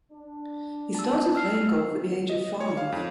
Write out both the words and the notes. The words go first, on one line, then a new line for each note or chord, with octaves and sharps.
He started playing golf at the age of five.
D4
A5 E6
E6 F6 C7
D#5
C#5
F5
F2